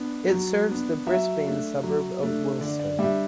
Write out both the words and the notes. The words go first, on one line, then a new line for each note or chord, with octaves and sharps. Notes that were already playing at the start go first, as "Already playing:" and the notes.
It serves the Brisbane suburb of Wilston.
Already playing: B3 D4
F#3
B3 D4
F#3 E5
A3 D4
F#3
A3 D4
D3 D5
D5
G3 D4 E5